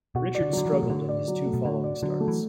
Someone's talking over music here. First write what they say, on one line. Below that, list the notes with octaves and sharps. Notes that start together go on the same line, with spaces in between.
Richard struggled in his two following starts.
B2 F#4
D5
D3
D3 F#3
E3
A3
B2
D3 F#4
D5
F#3
A3
B2
D3 F#4
D5
D3 F#3
A3
E3